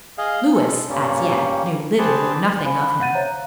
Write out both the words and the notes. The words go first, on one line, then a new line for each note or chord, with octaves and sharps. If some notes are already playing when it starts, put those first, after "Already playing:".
Louis as yet knew little or nothing of him.
G#4 D#5 F5
G#3 A4
G2 G3 A#3 C#4
C4 G4 G#4 B4 A5
C5 F5 G#5 B5
B5 F#6
F5 F#5 F#6 G6 A6 D#7
C5 C#5 E5 F5 A#5
F5